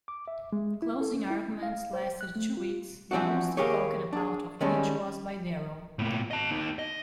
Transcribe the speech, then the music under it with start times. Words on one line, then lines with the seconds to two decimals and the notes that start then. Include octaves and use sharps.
Closing arguments lasted two weeks, the most talked about of which was by Darrow.
0.08 D6
0.28 E5
0.53 G#3
0.82 E4
1.01 A4
1.14 C#4
1.30 E4
1.63 F5
1.93 C5
2.21 F#6
2.36 A3
2.57 F4
3.11 E3 F3 C4 D4 F#4
3.57 D#2 A#3 G4 G#4 C#5
4.13 D4 G#4
4.61 D#3 G3 G#3 C#4 A4
5.99 A2 A#3
6.31 D#5 A5
6.51 A#3 D#4
6.79 D#5